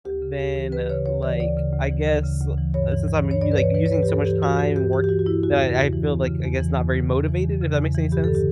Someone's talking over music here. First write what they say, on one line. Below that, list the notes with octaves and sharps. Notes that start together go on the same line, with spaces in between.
then, like, I guess, uh, since I'm u like, using so much time, and working, that I feel, like, I guess not very motivated, if that makes any sense.
D2 G4
C#3
D2 G4
E3
D2 B4
C#3 C#5
D2 C#5
E3 D5
D2 D5
C#3
D2
E3
D2
C#3
D2
E3
G2 C#5
E3
E3
G2
C#5
G2 D5
B4
E3 C#5
E3 B4
C#5
G2 B4
G4
G2 A4
E3 G4
E3 F#4
G2 F#4
G2 G4
E3 G4
G4
E3 F#4
F#4
G2 E4
E2 F#4
C#3
E2
E3
E2
C#3
E2
E3
E2
C#3
E2
E3
E2
C#3
E2
E3
G2 G4
D3 A4
G4